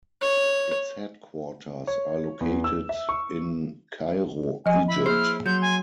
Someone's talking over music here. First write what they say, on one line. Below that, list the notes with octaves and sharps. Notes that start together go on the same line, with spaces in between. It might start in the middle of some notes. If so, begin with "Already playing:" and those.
Its headquarters are located in Cairo, Egypt.
C#5
C#5
E2
E6
E5
C#6
F3 D#5 G#5
E4 B5
A#3 G#4 C5 F6
F#3 C6 G6
G#5